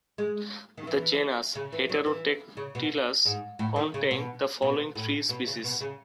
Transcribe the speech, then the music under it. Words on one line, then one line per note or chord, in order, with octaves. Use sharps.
The genus "Heterodactylus" contains the following three species.
G#3
D#3
E3
C#3
E3
F#3
E3
C#3
B2
G#2
A2
D#3
C#3
B2
B2
A2
B2
C#3
B2
C#3